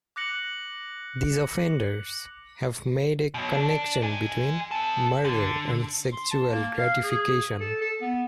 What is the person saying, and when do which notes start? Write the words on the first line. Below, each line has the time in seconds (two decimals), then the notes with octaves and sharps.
These offenders have made a connection between murder and sexual gratification.
0.16 D6 F#6 A#6 C#7 F#7
3.34 B2 F#3
3.53 D4
4.02 D#4 G#4
4.71 C4 A4
5.25 D3
6.13 C6
6.31 A5
6.52 A#3
6.78 F5
7.03 G#4
7.60 A4
7.81 A4
8.01 B3